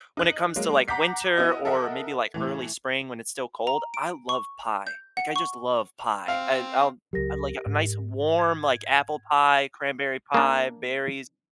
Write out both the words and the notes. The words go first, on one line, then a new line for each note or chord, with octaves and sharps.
when it comes to, like, winter or maybe, like, early spring when it's still cold, I love pie. Like, I just love pie. I I'll I'd like a nice warm, like, apple pie, cranberry pie, berries.
D#4 F#6 F#7
F#3 G#3 A#3
F#5 A#5 D6 G6 B6 C7
B3 E4 F#4 D#5
A4 A#4 D#5 E5 F#5
A2 E3
A#5
D7
C#6
G6
F#5
C#6
C4 F5
C#2 F#3 G4 A#4 A#6
G#2
G#6
A#3 D4